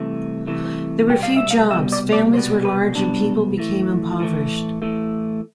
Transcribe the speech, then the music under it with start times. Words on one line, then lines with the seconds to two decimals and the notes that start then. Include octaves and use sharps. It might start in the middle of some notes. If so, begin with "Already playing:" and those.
There were few jobs, families were large and people became impoverished.
Already playing: C2 C3 E3 A3
0.47 C2 C3 E3 A3
1.08 C2 B2 G3 B3 G5
1.23 F5
1.37 E5
1.51 F5
1.71 C2 B2 G3 B3 E5
1.92 D5
2.13 D5
2.33 C2 B2 G3 B3 C5
2.65 B4
2.95 C2 B2 G3 B3 D4
3.58 A2 E3 A3
4.20 A2 E3 A3
4.82 A2 E3 A3